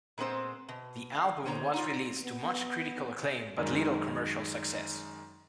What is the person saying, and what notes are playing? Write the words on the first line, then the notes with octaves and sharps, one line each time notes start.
The album was released to much critical acclaim but little commercial success.
A#2 G#3 B3 C4 C5
B2
F5
D3 C5 C#5 A#5
D#4 F4
B3
F#2 D#3 G#3